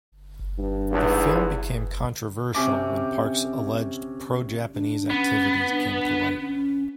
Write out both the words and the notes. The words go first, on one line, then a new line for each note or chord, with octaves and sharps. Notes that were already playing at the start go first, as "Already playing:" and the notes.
The film became controversial when Park's alleged pro-Japanese activities came to light.
G2
G#1 E2
C3 C#4 D6
D4
B3 C#4
D4
C#4